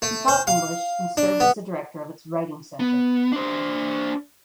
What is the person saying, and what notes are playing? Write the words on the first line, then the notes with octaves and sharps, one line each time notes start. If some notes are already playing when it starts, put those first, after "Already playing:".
He taught English and served as the director of its writing center.
A3
C5
F5
D4
B3
B3
D4 C5